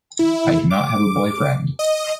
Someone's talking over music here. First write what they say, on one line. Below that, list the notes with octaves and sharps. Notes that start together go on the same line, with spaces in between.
I do not have a boyfriend.
E4
D6
D#5